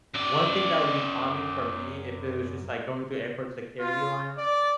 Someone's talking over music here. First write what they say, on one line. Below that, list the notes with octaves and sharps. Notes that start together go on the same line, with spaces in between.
one thing that would be calming for me if it was just, like, going through airport security line
F#2 D5
F4
D5